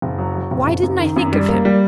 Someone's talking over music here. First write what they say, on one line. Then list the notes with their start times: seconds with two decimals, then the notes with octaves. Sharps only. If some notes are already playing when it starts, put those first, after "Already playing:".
Why didn't I think of him?
0.02 F#1
0.18 F#3
0.35 F#3
0.51 F#1
0.68 F#1
0.83 F#2
0.99 D#3
1.16 F#2
1.32 G3
1.49 A#3
1.65 G3